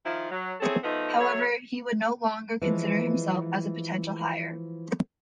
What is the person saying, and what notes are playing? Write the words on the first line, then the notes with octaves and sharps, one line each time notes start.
However, he would no longer consider him as a potential heir.
D#3 F3 E4 F4
F#3
C4 E4 G#4 A4 C#5
F3 A3 B3 D#4
F#3 A3 C#5
E3 F3 G#3